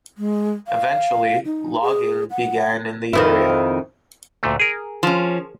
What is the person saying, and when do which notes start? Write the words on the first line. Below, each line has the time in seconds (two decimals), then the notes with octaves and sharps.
Eventually, logging began in the area.
0.18 G#3
0.67 F5
1.45 D#4
1.82 G#4
2.31 F#5
3.13 F2 D#3 E4
4.43 D2 A#2 A3
4.60 G#4 A#4
5.03 F3 C#4